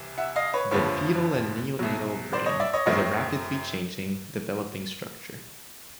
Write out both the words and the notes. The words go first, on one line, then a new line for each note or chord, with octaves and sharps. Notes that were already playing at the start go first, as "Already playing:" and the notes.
The fetal and neonatal brain is a rapidly changing, developing structure.
Already playing: C2 C3 E3
E5 F#5
D#5 F5
B4 C#5
F#1 F2 D3 F3 B4 C#5
C2 B2 F#3
C5 D5
C#5 D#5
D5 E5
C#5 D#5
F#2 D#3 F#3 A3 C4 C#5 D#5